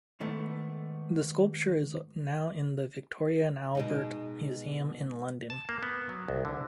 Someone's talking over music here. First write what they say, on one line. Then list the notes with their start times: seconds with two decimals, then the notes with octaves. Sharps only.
The sculpture is now in the Victoria and Albert Museum in London.
0.20 G#2 D#3 A3 B3
3.75 B2 G#3 D#4
5.50 A5
5.69 A#3
5.83 B3
6.09 F#3
6.28 C2
6.45 D3